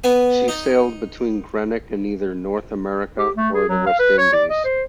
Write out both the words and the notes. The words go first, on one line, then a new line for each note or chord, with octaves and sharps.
She sailed between Greenock and either North America or the West Indies.
B3 G#5
D#4
G4
A3
G#4
F#3
F5
B4
C#5
D5
D#5
C5